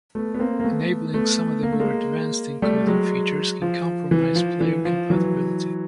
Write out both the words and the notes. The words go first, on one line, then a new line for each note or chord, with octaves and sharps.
Enabling some of the more advanced encoding features can compromise player compatibility.
A3 B3
B3
A#3 C4
A#3
A3 B3
A3 B3
A#3
A3
G#3 A#3
G3 A3
F#3 G#3
F3
E3
F3
E3
F3
E3 F#3